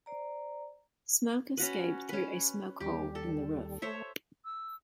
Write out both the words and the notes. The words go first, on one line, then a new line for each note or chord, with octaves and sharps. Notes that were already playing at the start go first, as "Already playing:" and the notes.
Smoke escaped through a smoke hole in the roof.
C5 D5 A#5
C#4 F#4 B4
C#4 B4
D#2 G3 G4
A4
A3 C5 C#5 E5
E6